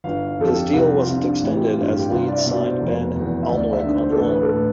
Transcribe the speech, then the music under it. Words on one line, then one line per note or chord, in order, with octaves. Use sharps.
His deal wasn't extended as Leeds signed Ben Alnwick on loan.
G1 F5
F5
F2 A4
G4
C2 G4
F4
C3
D4
A1 E4
G4
F4
G2 F4
G4
C2 F4
D5
E5
B2 D5
C5
F1
E2
E5
D2 D5
E5
D3
C5
A4
A1 B4
B4
A4
A2